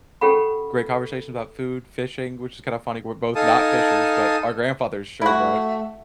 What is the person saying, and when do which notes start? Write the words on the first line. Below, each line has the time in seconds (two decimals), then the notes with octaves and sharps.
Great conversation about food, fishing, which is kinda funny we're both not fishers but our grandfathers sure were.
0.21 C#4 G4 A4 F#5 B5
3.35 D#4 A4 F5 G#5 A5 D#6
5.22 A3 E4 F#4